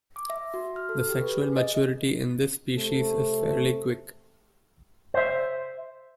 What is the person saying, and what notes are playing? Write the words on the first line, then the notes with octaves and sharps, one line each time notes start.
The sexual maturity in this species is fairly quick.
D6
E5
F#4
F6
A4
G4
B4
G#4
D#5
C3 A3
C5 E5